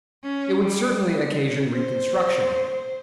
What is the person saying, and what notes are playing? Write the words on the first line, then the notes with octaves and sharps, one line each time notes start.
It would certainly occasion reconstruction.
C#4
G3
C5